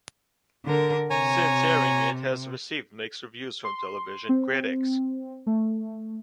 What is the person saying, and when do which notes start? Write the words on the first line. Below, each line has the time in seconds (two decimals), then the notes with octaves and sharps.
Since airing, it has received mixed reviews from television critics.
0.65 D3 A#4
1.10 C3 C#5 G#5 A#5
3.64 C6
4.29 C4
5.47 A3